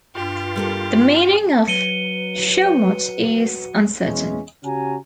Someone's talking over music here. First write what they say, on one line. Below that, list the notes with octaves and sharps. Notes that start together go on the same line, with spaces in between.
The meaning of "Shawmut" is uncertain.
G2 F4 G4
G3 A#3 A4
F#3 B4 C#7 D#7 G7
E2 E3 G#3 C#4
C#3 C#4 F#4 G4 G#5 A#5